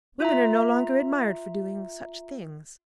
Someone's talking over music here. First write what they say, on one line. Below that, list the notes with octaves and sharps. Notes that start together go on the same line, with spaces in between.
Women are no longer admired for doing such things.'
F4 E5 A#5